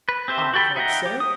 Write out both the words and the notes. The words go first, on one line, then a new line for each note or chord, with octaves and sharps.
"I hope so."
B4
C4 G4 C5 E5
F#4 G4 A4 G5 B5
D#4 E5 F#5 G5 A#5
G4
D#6